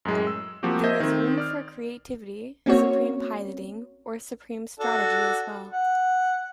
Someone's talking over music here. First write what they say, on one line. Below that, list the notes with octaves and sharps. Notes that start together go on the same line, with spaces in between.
There was room for creativity, supreme piloting, or supreme strategy as well.
F#2 A2 G#3
E6
F3 A#3 C4 F#4 G4
C5 D#5 E5 D#6 G6 G#6
D#3 C4
D5 F6
A#3 C4 C#4 F#4 C#5
D4 F#4 A4
F#5